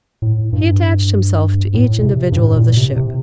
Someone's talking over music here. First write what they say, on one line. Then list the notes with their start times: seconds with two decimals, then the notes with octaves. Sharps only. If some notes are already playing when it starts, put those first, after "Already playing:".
He attached himself to each individual of the ship.
0.22 A2
0.53 G2
1.74 A2
1.99 A#2
2.05 C3
2.32 G2
2.36 A2
2.56 A#2
2.77 C3
2.97 C3